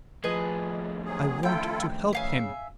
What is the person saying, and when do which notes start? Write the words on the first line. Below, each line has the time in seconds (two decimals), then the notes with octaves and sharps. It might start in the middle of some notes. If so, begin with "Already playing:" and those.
I want to help him.
0.24 A2 F3 G#4 B4 D#5
1.05 C3 F#3 G#4
1.43 E4 F4 A4 G5
2.13 C#3 E5 F5 G#5